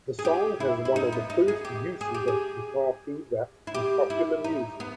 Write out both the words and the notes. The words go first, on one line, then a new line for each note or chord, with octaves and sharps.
The song has one of the first uses of guitar feedback in popular music.
G#4
G4
E4
E4
D#4
B3
D#4
G#4
G4
G#4
G4
G#4
E4
G4
E4
D#4
B3